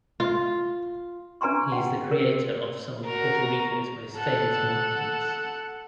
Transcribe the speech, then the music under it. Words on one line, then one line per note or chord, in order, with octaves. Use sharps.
He is the creator of some of Puerto Rico's most famous monuments.
F4
D4 B4 G#5 A#5 C6 C#6
F#5 G5
A#4
F#4 A#4 A#5
A4 F#5